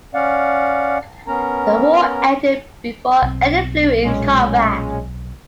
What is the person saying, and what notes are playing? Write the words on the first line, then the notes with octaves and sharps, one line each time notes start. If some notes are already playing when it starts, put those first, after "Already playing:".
The war ended before any flew in combat.
C#4 D5 F5 F#5
B3 C#4 A#4 A#5
B1 C4
A#2 G#3 C#4